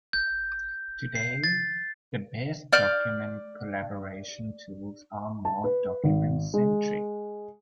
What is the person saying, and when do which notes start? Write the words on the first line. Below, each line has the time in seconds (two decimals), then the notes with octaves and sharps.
Today, the best document collaboration tools are more document-centric.
0.13 G6
1.15 C7
1.44 A6
2.73 D5 F6 G6
5.45 A5
5.64 B4
6.04 G#1
6.54 G#3